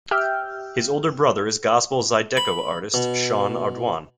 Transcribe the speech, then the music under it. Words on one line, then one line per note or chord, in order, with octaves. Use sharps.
His older brother is Gospel zydeco artist Sean Ardoin.
G4 E5 G5 E6 F6 G6
B5
B2